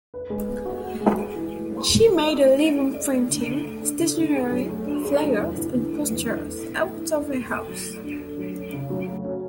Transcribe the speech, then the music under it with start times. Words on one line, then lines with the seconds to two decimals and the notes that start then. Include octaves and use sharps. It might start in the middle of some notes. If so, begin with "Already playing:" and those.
She made a living printing stationery, fliers, and posters out of her house.
0.14 B4
0.30 G#3
0.49 B3
0.65 F#4
0.84 B4
1.01 G#3
1.19 G#4
1.35 E3
1.54 A3
1.70 C#4
1.89 G#4
2.06 E3
2.23 D5
2.41 A3
2.58 E4
2.76 G#4
2.94 D5
3.11 A3
3.29 D3
3.47 D3
3.64 A3
3.82 D4
3.99 D3
4.16 D3
4.35 G#4
4.51 F#3
4.69 A3
4.86 D4
5.04 G#4
5.22 F#3
5.39 E2
5.57 E2
5.75 D3
5.92 A3
6.10 E2
6.27 E2
6.44 A4
6.62 B2
6.79 A3
6.97 E4
7.14 A4
7.32 B2
7.49 A4
7.68 F#3
7.85 A3
8.03 D4
8.20 A4
8.38 F#3
8.55 C#4
8.73 C#3
8.90 F#3
9.07 A3
9.25 C#4